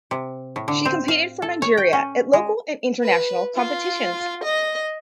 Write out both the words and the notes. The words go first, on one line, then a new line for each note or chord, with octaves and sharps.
She competed for Nigeria at local and international competitions.
C3
A2
D3
C4
F5
A4
C#5
G5
C#4
G#3
B4
F4
D#5